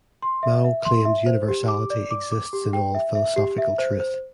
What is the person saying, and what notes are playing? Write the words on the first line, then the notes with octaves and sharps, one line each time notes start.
Mou claims universality exists in all philosophical truth.
C6
E5
E5
C6
E5
C5
G4
D6
D5
D6
D6
G4
G5
E5
E5
G4
E5
C5
C5